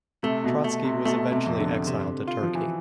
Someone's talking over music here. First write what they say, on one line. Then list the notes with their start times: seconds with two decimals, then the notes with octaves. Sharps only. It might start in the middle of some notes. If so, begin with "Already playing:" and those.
Trotsky was eventually exiled to Turkey.
0.23 C3 A3
0.44 B2
0.64 A3
0.84 C3
1.05 B2 A3
1.32 C3
1.46 F2
1.59 D3
1.87 C3
2.28 F4
2.43 F3
2.55 E3